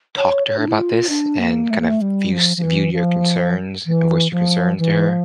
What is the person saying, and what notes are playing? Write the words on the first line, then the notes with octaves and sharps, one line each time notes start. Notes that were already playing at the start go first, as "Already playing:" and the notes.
talked to her about this and kind of views viewed your concerns a voiced your concerns to her?
C#5
C#5
D4
E4
F4
D4
A#3
A3
A#3
A3
G3
F3
F3
E3
F3
E3
F3
E3
F3